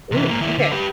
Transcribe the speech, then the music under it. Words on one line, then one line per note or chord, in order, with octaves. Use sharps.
Ooh, okay.
C3 E3
G#2 A#3
D#2 E4
D3
G4 B4